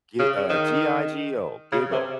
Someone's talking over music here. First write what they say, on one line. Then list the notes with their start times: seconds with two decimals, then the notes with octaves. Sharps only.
g uh, G-I-G-O, GIGO.
0.19 C#3
0.50 D#3
1.72 C#3
1.92 C3